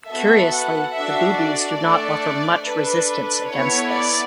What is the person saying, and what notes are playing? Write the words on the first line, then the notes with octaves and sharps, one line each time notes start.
Curiously, the boobies do not offer much resistance against this.
B3 F#4 A4 E5
F#5
D4 F#4 A4 E5
D5
A3 D4 A4
D4 A4 B4
B3 E4 A4 C#5
D5